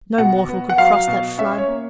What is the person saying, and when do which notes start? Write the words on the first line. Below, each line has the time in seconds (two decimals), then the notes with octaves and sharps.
'No mortal could cross that flood.
0.18 B2 F#5
0.49 B3
0.69 F#5
0.78 F#3 F5
1.08 B2
1.38 C#4 E5
1.58 C#5
1.68 A#3